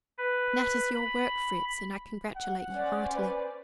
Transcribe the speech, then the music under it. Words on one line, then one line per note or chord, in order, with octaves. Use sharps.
Nat is your work, Fritz, and I congratulate you heartily.'
B4
B5
F#5
C#4 C5 D5
B4